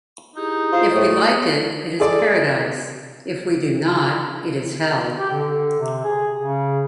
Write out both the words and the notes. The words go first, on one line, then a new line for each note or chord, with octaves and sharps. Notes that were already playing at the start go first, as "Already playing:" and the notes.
If we like it, it is paradise; if we do not, it is hell.
D#4 E4 G4 G#4
F4 C5
A2 A3 D#6
G#4 A4 D5
G4
D3
C3
G#4
C#3